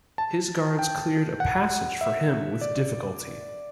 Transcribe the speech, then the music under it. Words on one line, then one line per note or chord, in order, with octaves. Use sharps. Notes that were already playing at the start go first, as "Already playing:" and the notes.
His guards cleared a passage for him with difficulty.
A5
G5
F#5
E5
D5